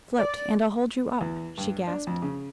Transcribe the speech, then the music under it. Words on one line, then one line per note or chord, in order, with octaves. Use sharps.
"Float, and I'll hold you up," she gasped.
D5
E2
G2
D4
F2
C#3